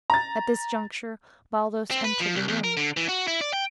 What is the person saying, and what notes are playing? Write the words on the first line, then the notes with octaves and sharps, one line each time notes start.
At this juncture Baldos entered the room.
A#5 A6
C4
B4
F3
C2
E2
A#4
D3
E3
F#4
E4
D5
G5